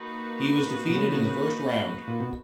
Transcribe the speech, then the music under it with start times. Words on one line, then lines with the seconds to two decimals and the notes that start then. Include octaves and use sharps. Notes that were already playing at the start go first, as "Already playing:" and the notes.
He was defeated in the first round.
Already playing: A#3 D#4 F#4 B4
0.88 B2
0.95 C#3
2.08 A#2
2.21 B2